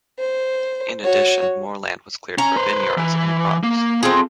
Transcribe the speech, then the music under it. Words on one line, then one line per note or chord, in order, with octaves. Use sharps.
In addition, more land was cleared for vineyards and crops.
C5
F#4 C#5
C#4 A#5
B4 C5
E3
A#3
C4 F4 G#4 A4